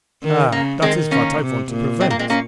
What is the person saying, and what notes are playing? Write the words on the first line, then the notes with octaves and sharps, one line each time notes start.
"Ah! dat is vat I vant to prevent."
D#3
C#3 A#3
D#3 G#3 C4
A#3 C#4
C3
A#2
G#3 C4
A#3
G#3 C4
A#3 C#4